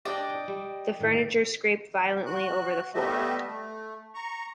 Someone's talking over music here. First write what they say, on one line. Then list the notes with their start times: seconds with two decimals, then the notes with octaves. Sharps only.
The furniture scraped violently over the floor.
0.05 D4 G4 D5 D#5 G5
0.48 G3
1.00 A2 D#3
2.26 F#4 F#6
2.94 G3 A3 B3 G4 D#5 E5
3.48 A3
4.14 A#5 C#6